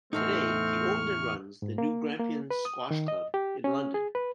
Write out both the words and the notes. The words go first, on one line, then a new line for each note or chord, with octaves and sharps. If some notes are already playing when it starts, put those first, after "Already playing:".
Today, he owns and runs the New Grampians Squash Club in London.
E2 A2 A3 C4 D#4 C#6 F6
G#2
A#3
A#3
B4
D#6
D#3
D#5
G4
C#4
G#4
B4